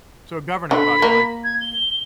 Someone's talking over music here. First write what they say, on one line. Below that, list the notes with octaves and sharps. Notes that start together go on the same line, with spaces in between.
So, a governing body, like
D3 B5
A#3
G#6
G7